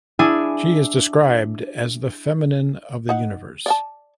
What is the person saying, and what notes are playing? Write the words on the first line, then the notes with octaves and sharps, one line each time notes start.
She is described as "the feminine of the universe".
D4 E4 G#4 G#5
D#4 F#5
D5 F5 A5